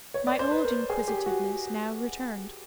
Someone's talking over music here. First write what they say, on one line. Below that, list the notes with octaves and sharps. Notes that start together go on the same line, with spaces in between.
My old inquisitiveness now returned.
C#5
D5
C5
B4
A#4
G#4
G4
F#4